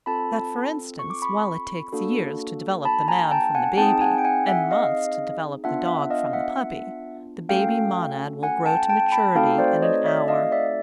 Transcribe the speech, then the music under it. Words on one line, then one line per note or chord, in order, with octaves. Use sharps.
That, for instance, while it takes years to develop the man from the baby, and months to develop the dog from the puppy, the baby monad will grow to maturity in an hour.
C4 F4 A4 A5 B5
C#6
D6
B5 C#6
A#3 D4 F#4 A4
A5 B5
G#5 A#5
G5 A5
F#5 G#5
C4 D#4 G#4 G5 A5
F#5 G#5
G5
F#5 G#5
E5 F#5
D#5 F5
B3 D4 F4 E5 F#5
E5 F#5
D#5 F5
E5 F#5
A3 C#4 F#4 A4 F5 G5
F#5 G#5
G5 A5
G5 A5
A5 B5
A3 C4 D#4 F#4 A4 F5 G5
C5 D5
C#5 D#5
D5 E5
D#5 F5
D5 E5